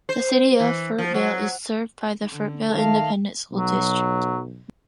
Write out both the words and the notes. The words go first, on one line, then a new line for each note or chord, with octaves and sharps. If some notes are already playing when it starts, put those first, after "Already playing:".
The City of Fruitvale is served by the Fruitvale Independent School District.
C5
E3
F3
F#3
D3
D#3 A3 F5
B1 F#3